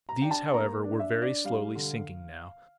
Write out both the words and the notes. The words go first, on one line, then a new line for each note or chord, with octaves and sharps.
These, however, were very slowly sinking, now.
A#5
D4 G5
A5
A#3 A#5
D4
E5
D4
D5
G3 F5
D3